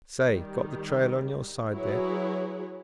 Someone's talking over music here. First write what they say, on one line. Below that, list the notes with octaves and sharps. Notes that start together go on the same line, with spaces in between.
Say, got the trail on your side there?
D#3 G3
F#3 E4 F#4 G#4 B4 C#5